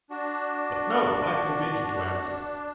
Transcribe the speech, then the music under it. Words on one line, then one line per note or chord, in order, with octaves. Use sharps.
But no. I forbid you to answer.
D4 F#4